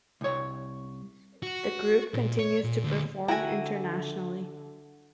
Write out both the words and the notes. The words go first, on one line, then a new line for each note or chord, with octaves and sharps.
The group continues to perform internationally.
C2 C#5
F#4
A#2
C#5
A#2
D2
D3 E4 F#4 G5 G#5 A#5